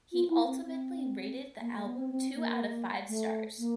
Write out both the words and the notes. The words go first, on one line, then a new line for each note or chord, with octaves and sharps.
He ultimately rated the album two out of five stars.
F4
E4
C4
C4
A#3
A3
B3
C4
C4
A#3
A3
A#3